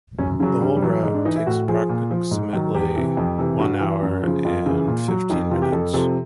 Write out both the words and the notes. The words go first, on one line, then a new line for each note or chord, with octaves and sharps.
The whole route takes approximately one hour and fifteen minutes.
F#2 C#4
C#3 F#3 C#4
G2 G3
G3
E3 F#3
G#2 G#3
D4
E3 D#4
E4
A2 F#4
F3 G#4
A#2
F3
G#2
D#3 F#3
E2 G4
C3 E3
F2
C3 E3
G2 F#4
E3
F#2
C#3 F3
F2 F4
C#3 E3
A#2
F#3
F2 D#4
C3 E3 F4
G4
F2 A4
C3 F3 A4